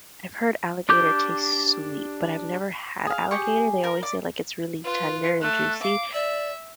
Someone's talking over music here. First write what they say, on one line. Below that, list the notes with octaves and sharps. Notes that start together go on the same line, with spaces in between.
I've heard alligator taste sweet, but I've never had alligator. They always say, like, it's really tender and juicy.
D4 G4 D6 G6
G#4 F5
G4 G#4 C#6
A#4
D5
F4 B4
A3 F#6
F5 D6
D5 E5